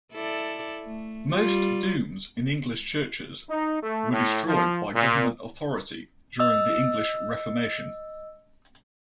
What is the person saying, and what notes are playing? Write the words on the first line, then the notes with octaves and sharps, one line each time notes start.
Most dooms in English churches were destroyed by government authority during the English Reformation.
E4 A4 D5
A3
G3 F4
D#4
A3
A2
F3
A#2
D#5 E6